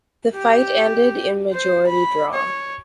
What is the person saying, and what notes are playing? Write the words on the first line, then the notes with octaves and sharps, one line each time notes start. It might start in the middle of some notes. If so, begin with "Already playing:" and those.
The fight ended in majority draw.
G4
C5
B5
C#5